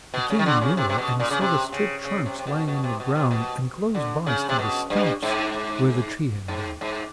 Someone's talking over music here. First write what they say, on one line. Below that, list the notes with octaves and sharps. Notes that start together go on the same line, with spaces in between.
He came nearer, and saw the stripped trunks lying on the ground, and close by stood the stumps, where the tree had been.
B2
C#3
D#3
D3
C#3
C3
C3
B2
A#2
C#3
C3
C#3
C#3
C3
C3
B2
B2
C3
B2
C3
B2
D3
C#3
C3
B2
G2
G#2
G#2
G#2